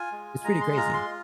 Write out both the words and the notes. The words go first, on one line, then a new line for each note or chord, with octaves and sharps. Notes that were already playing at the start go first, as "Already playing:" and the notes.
It's pretty crazy.
Already playing: F4 G#5
G#3
G#3 A#5
C6
F4 A#5
C6